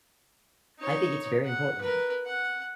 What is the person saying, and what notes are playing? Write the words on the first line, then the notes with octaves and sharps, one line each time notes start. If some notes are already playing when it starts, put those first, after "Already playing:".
I think it's very important.
D#4 C#5
F#5
A#4 B4
F#5